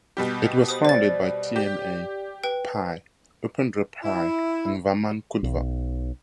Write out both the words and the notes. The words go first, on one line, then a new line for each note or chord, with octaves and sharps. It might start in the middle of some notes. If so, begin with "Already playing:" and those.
It was founded by T M A Pai, Upendra Pai and Vaman Kudva.
B2 G3 G4
C5 D#6
C5 D5 A6
G4
B4 G5
E4
B1